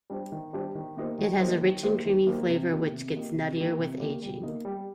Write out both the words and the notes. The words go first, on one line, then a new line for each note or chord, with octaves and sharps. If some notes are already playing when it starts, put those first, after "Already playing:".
It has a rich and creamy flavor which gets nuttier with aging.
G3 D4 G4 C5
D#3
G3 D4 G4 C5
D#3
A#3 D#4 G4 C5
D#3
A#3 D#4 G4 C5
D#3
A#3 D#4 G4 C5
D#3
A#3 D#4 G4 C5
C3
D#3 A#3 D#4 G4
C3
D#3 A#3 D#4 G4
C3
D#3 A#3 D#4 G4
C3
D#3 A#3 D#4 G4
G3
A#3 D#4
G3